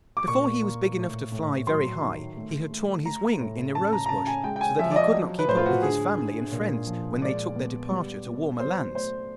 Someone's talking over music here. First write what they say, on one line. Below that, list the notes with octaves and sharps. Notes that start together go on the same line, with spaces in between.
Before he was big enough to fly very high he had torn his wing in a rosebush, so that he could not keep up with his family and friends when they took their departure to warmer lands.
D6
A#2 C#6
A#3
A2
A2
F#3 C6
D#3
A3
A3
A3 A#5
A2
C#3 A5
A#5
A#5
C#3 A5
G#5
G#3 G5
G5
G#5
F3 E5
D5
D#5
F#3
B4
A2 C5
F4
F#4
D3 G#4
D3
A#2
F3
G#3 D5
B3
G3
B3
F#3 C5
A3 C5